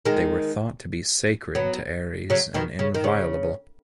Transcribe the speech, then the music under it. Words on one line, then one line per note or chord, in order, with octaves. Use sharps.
They were thought to be sacred to Aries and inviolable.
D#3 G#3
F#3 B3
C#3 F#3
B2 D#3
C#3
D#3
C#3